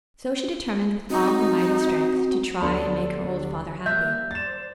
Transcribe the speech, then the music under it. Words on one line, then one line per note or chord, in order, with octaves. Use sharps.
So she determined with all her might and strength to try and make her old father happy.
C4 D#4 F#4
D2 D3 B3 D4 G4 A4 B5 C6
G3 A#3 E5 F#6 G6
C5 D5 A6 E7